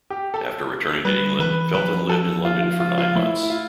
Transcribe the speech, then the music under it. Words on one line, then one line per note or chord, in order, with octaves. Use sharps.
After returning to England, Felton lived in London for nine months.
G4
A4
G3 B4
E3 B4
F3 B4
A4
F4
F4
F4
F4
A3 E4
E4
F4